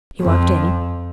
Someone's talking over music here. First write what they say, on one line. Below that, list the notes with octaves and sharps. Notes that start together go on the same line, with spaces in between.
He walked in.
F2